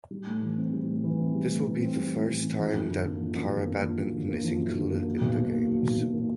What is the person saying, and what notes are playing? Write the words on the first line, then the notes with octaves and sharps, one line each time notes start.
This will be the first time that para badminton is included in the Games.
G3
A2
E3
C4
G3
A2
E3
C4
G3
A2
E3
C4
G3
A2
E3
C4
F3
F#2
D3
A#3
F3
F#2
D3
A#3
F3
F#2
D3
A#3
F3
F#2
D3
A#3
F#3
B1
A#2
A#3
F#3
B1
A#2
A#3